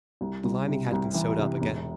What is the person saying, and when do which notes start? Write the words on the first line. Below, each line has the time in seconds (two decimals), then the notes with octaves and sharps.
The lining had been sewed up again.
0.21 C2
0.44 C2
0.68 C3
0.92 C2
1.14 E3
1.39 C3
1.62 E1